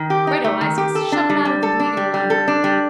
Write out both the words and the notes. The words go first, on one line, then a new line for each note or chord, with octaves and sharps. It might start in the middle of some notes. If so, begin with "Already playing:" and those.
Righto, Isaacs, shove em out of the bleeding limelight.
Already playing: D#3
G4
D#4
A3
D#3
G4
A4
D4
G3
G3
A4
D4
G3
G3
A4
D4
G3